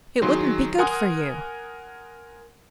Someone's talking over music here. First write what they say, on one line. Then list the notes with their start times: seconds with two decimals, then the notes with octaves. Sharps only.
It wouldn't be good for you.'
0.22 D#3 F#3 G#4 C6
0.78 A#4 F#5 G#5 C6 D#6